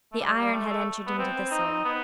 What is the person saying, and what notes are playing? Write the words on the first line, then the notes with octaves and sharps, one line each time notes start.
The iron had entered into the soul.
A3
G3
G3
A3
A3
B3
C4
D#4
B3